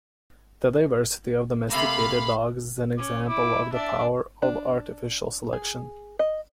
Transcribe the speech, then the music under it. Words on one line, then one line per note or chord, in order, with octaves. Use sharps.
The diversity of domesticated dogs is an example of the power of artificial selection.
C3 A3 A#3 F5 B5
C#4 D6
E4 D6
D4 D5 E5
D4
G#4
D#5